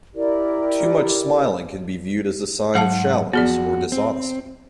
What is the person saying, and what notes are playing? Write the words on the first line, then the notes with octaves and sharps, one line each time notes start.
Too much smiling can be viewed as a sign of shallowness or dishonesty.
E4 G4 A#4 D5
G#2 F#3 F5 F#5 A5
F2 B3 F#4 G#4 D5
C4